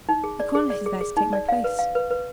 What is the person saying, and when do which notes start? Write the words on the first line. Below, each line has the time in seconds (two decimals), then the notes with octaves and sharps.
"The cornet is there to take my place."
0.09 D#4
0.24 G#4
0.40 D5
0.55 G#4
0.70 D5
0.86 G#4
1.01 G#4
1.17 D#4
1.33 D5
1.49 F5
1.64 B4
1.79 F5
1.95 B4
2.11 B4